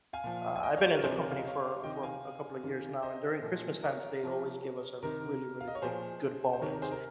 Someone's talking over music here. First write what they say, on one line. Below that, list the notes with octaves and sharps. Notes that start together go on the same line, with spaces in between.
uh- I been in the company for for a couple of years now- and during Christmas times, they always give us a really, really big, good bonus,
F5 G#5
A#2 F3
G#5
D#5 G5
C#5 F5
C5
A#4 C#5
C3 F3 G#4 C5
A#4 C#5
F5
D#5
C#5 F5
C3 D#3 D#5 G5
F5 G#5
C3 D#3
C5 D#5
A#2 F3
A#4 C#5
C3 F3
C3 D#3 A#4
F5
D#5
C#5
A#2 F3 G#4 C5
C5
C3 D#3 A#4 C#5
A#4
G#4 C5
A#4